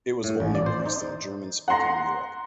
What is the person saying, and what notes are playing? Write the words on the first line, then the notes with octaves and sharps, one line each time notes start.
It was only released in German speaking Europe.
A2
A1
D5
C5
D#4
F#5 A#5 C6 A#6